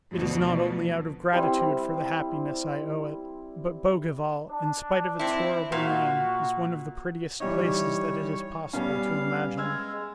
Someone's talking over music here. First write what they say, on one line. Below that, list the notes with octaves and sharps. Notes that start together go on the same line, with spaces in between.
It is not only out of gratitude for the happiness I owe it, but Bougival, in spite of its horrible name, is one of the prettiest places that it is possible to imagine.
D2 B2 F3
G3 C4 E4
D4
C4 E4
A#2 F#4
E3 G3 D#4 C#5
G3 B3 C#4 F5
G#3 E6 F6 G#6